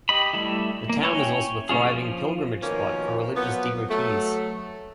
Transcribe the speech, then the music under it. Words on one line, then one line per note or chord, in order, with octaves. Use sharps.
The town is also a thriving pilgrimage spot for religious devotees.
G4 D#5 B5
G3 A3 E4
A#3
C#4 E4 C#5 G5 G#5
C#3 A#3 C#4 F4 G#4
F3
B2 D#3 F3 A#3 C#4
F3 F#3 B3
F#3 A3